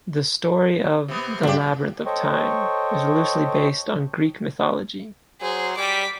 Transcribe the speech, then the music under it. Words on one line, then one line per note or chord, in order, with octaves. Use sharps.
The story of "The Labyrinth of Time" is loosely based on Greek mythology.
C3 B3
E2 G2 D4 G4
A4 C5 C#5 D#5 G5 C#6
F#3 G#4 C5
G3 D6 B6